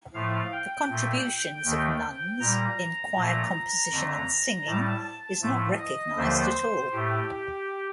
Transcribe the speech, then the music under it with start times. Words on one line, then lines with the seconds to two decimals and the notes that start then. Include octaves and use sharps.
The contributions of nuns, in choir composition and singing, is not recognized at all.
0.14 A2 F3 A3 F5
0.52 G5
0.89 A#2 A3
1.65 D#2 D#3 A3
2.40 A#2 G3 A#5
3.15 A#2 F3 A3
3.91 F2 D3 A3
4.66 A2 G3 A5
5.04 A5
5.42 A2 F3 A3
5.79 D#5
6.17 D#2 D3 F3 A3 C5
6.92 A2 A3 G4